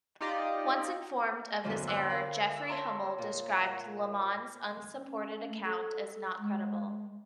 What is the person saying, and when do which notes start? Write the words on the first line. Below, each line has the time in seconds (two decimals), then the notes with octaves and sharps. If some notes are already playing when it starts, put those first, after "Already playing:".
Once informed of this error, Jeffrey Hummel described Lamon's unsupported account as not credible.
0.21 D#4 F4 G4 D5 D#5
1.64 E2 G2 A#2 D3 F3 F#3
1.87 G5 C6 D6 E6 F#6
2.10 A#4 F5 B5
2.56 E6
2.68 C#5 E5 A5 A#5 C6 C#6
3.18 A#2
4.95 C#4
5.49 A3
5.64 A4
6.39 G#3